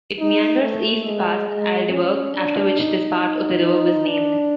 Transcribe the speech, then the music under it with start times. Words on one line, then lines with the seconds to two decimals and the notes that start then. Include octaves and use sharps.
It meanders east past Aldeburgh, after which this part of the river was named.
0.19 D#4
0.62 A3
1.05 G#3
1.48 G#3
1.91 C#4
2.34 D4
2.78 D#4
4.08 D4